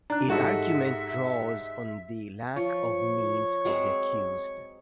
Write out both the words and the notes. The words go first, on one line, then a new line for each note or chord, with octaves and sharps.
His argument draws on the lack of means of the accused.
D4 A#5 F#6
G#2 G#3 D#4 F#4 G4 A4 E5
F3 C#5 C#6
F#3 G#3 C4